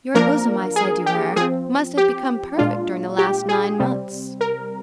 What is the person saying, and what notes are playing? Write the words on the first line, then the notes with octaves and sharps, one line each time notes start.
"Your bosom," I said to her, "must have become perfect during the last nine months."
F3 A#3 D4 A#4
G#4
G4
F3 C4 G#4
G4
A#2 G#3 D4 F4
G4
G#4
C3 G3 C4
A#4